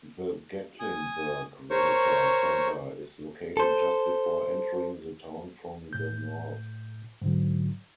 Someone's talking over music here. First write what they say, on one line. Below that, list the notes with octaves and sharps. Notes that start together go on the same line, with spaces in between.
The Gatlinburg visitor center is located just before entering the town from the north.
G#5 D#6
A#4 C5 C#5 C#6
A4 C5
A2 G6
G#2 D3 F#3